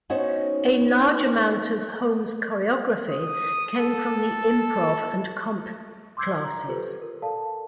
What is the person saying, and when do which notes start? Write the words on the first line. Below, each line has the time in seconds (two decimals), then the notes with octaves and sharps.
A large amount of Holm's choreography came from the improv and comp classes.
0.10 B3 C#4 D#4 F#4 C5 C#5
3.11 D#6
3.79 A4
6.17 C6 D6 E6 G6 G#6 C7
6.44 A#5
6.68 F4 G4 A4 B4 C5
7.02 A#4
7.22 A4 A#4 D5 F5 A5